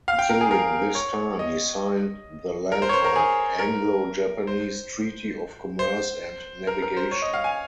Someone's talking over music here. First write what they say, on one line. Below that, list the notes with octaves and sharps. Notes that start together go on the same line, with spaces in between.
During this time he signed the landmark Anglo-Japanese Treaty of Commerce and Navigation.
F5
G5
A#4
G#4
A#4
C#5
D#5
A#4
C5
C#5
C5
A#4
G#4
A#4
C5
C5
A#4
A#4
C5
C#5
D#5
F5
G#5